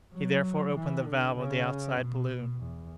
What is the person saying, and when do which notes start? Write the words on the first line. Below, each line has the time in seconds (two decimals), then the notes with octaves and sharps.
He therefore opened the valve of the outside balloon.
0.13 F#3
0.75 E3
1.05 D3
1.37 C#3
1.99 B2
2.60 E2